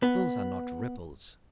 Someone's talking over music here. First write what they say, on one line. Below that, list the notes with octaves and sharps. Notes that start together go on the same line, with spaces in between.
Those are not ripples.
B3